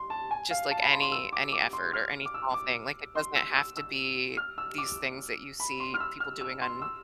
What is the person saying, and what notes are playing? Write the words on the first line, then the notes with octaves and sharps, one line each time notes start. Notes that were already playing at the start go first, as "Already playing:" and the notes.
just, like, any any effort or any small thing. Like, it doesn't have to be these things that you see people doing on
Already playing: C6
A5
G#5
F5
A5
B5
C6
C6
E6
D6
D6
C6
F6
D6
E6
D6
C6
E6
E6
E6
F6
E6
D6
B5
C6
F6
E6
F6
E6
C6
E6